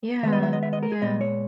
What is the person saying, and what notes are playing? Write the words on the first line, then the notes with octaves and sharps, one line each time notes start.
Yeah, yeah.
D#3 G#3 B3 E5
D#5
E5
D#5
E5
D#5
A#4
G#4
A#2 G#3 B3 D#5
C#5